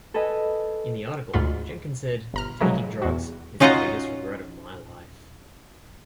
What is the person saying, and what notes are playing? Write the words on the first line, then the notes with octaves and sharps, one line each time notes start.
In the article Jenkins said "taking drugs is the biggest regret of my life".
A4 B4 D#5 G#5
D2 G#2 F4 B5
G1 A#5 F6
C#3 F3 F#3 G#3 A3 D#4
E2 F#4
C#4 D#4 F4 F#4 D#5 A#5